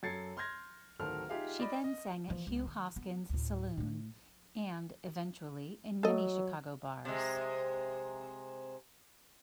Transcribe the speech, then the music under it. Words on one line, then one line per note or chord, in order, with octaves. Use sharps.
She then sang at Hugh Hoskin's saloon and, eventually, in many Chicago bars.
F#2 A4 G#6 A6 C7 C#7
C6 F6 G6 G#6 A#6
D1 D#3 A4 A#4 C5 F6
D#4 F4 G4 G#4 E5 F5
D5 D#5 B5
D#5
E3 F3
C#2
D#3
B3
D2 A2
A2 A3
F#3 A4 D#5
C3 G#3